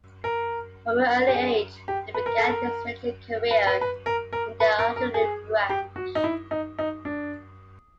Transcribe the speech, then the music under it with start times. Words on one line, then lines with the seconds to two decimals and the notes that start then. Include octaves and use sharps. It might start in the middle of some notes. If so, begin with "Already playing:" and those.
From an early age he began his military career in the artillery branch.
0.24 A#4
1.28 G4
1.34 G#4
1.88 G4
2.14 B4
2.26 A#4
2.38 A4
2.49 A#4
3.51 B4
3.67 B4
3.81 B4
4.06 A#4
4.33 A#4
4.60 B4
4.79 A#4
4.96 A#4
5.14 G#4
5.69 G4
5.96 F#4
6.15 D#4
6.24 E4
6.51 D#4
6.79 D#4
7.05 D4